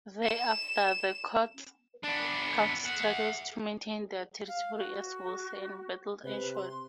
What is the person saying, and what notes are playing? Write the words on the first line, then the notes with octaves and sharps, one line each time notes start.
Thereafter, the Counts struggled to maintain their territory as wars and battles ensued.
E7
B3 D4
E5 F#5
F5
F#4
C3 B4
C6